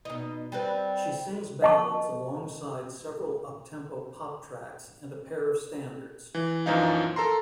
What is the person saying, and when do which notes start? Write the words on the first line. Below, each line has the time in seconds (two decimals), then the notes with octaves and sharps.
She sings ballads alongside several uptempo pop tracks and a pair of standards.
0.05 B2 D#4
0.52 G3 C4 B4
1.62 D#5 A5 C#6
6.35 E3
6.66 A#1 F#2 E3 F3 D#4 F5
7.16 A4 A#4 A#5 C6